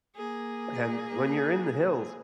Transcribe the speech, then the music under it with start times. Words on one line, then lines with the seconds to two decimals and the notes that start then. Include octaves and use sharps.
and when you're in the hills,
0.16 A#3 G#4